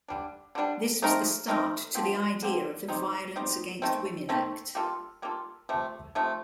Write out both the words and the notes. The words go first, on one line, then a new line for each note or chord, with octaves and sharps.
This was the start to the idea of the Violence Against Women Act.
D3 G3 D4
D3 G3 D4
A3 C4 D#4 A#4
A3 C4 D#4 A#4
D3 F3 C4
D3 F3 C4
G3 C4 D#4
G3 C4 D#4
D#3 A3 C4
D#3 A3 C4
G3 A#3 F4 A4
G3 A#3 F4 A4
C3 F3 A3
C3 F3 A3